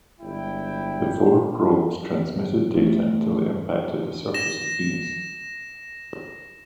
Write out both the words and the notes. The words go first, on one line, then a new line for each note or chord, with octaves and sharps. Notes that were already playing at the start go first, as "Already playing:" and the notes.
The four probes transmitted data until they impacted the surface of Venus.
G1 G#3 E4 G5
A3
A#6 E7